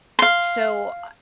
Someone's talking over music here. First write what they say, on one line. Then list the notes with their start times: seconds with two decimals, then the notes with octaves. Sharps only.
so, uh,
0.19 F5 C6